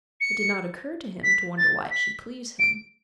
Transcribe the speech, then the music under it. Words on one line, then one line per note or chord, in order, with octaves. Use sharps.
It did not occur to him to wonder why it should please him.
C#7
B6
A6
B6
D7